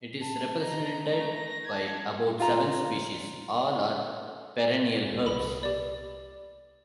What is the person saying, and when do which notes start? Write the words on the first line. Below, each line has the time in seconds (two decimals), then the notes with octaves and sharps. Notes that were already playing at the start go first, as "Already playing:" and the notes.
It is represented by about seven species, all are perennial herbs.
0.21 A5
0.57 D#5 A#5
1.05 A3 A#5
1.34 A#6
1.67 A5 G#6
2.40 F4 A#5
5.26 C2 B5
5.63 G4 D5